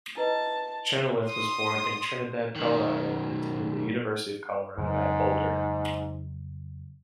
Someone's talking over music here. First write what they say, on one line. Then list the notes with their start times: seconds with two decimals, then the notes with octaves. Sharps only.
Chenoweth was born in Trinidad, Colorado, and attended the University of Colorado at Boulder.
0.17 E4 B4 D#5 A5
1.27 C6 D#6
2.56 B1 D#3
4.77 F2 G#2 C#3 F#3